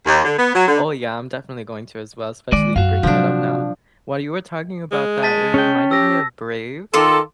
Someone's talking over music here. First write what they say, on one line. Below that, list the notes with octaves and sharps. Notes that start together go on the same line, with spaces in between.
Oh yeah, I'm definitely going to as well, especially you bringing it up now. While you were talking about that, it reminded me of Brave.
D#2
D3
B3
F#3
D3
D#3 G#3 D5
F#2 F#4 F5
C3 F3 F#3 D4
G#3
A5 A6 B6
C#4 G5
G4 E6 A#6
D#3 F4 A4 C6 D6